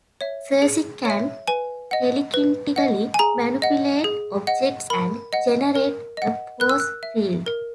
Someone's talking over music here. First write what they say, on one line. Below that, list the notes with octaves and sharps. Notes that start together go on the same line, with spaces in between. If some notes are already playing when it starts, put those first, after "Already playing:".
Sersi can telekinetically manipulate objects and generate a force field.
C#5 E5
G#4
C#5 E5
B4 G#5
D#5 F#5
B4
D#5 F#5
G#5
G#4 A#5
D#5 F#5
G#4
D#5 F#5
A#4 B5
D#5 F#5
A#4
D#5 F#5
A#4 F#6
E6
F#6
E5
A#4